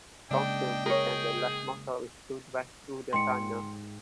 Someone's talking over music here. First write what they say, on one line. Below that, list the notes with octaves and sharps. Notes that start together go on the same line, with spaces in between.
Thomson became the last motorist to drive through the tunnel.
C#3 G#3 A#3 D4 D#5 G5
G#4 A#4 C#5
G#2 G5 C6 C#7